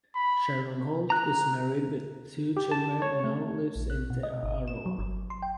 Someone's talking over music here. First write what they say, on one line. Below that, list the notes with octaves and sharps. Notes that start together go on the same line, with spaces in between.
Sharon Holt is married with two children and now lives in Te Aroha.
B5
A#5 F#6
G4
A5
C#5
A3
A#1
F#6
B2
D#5
G#1
E7
F#3
G1
C6
G5